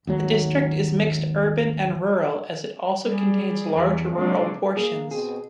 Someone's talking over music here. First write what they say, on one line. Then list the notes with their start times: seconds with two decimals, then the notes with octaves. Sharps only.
The district is mixed urban and rural as it also contains large rural portions.
0.07 G#1 D#2 F#3
3.05 G3 G#4
3.73 E2
4.16 C3 F3 F#3 G#3 A#3 D4
4.77 A#3 G#4
5.11 B2 C4 G#4